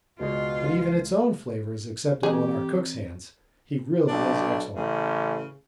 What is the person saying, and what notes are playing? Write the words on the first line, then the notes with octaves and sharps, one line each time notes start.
But even its own flavour is acceptable in our cook's hands--he really is excellent.
C#2 B2 G#3 F4
E3 C4 G4 G#4 D#5
B1 D4
A1 C#3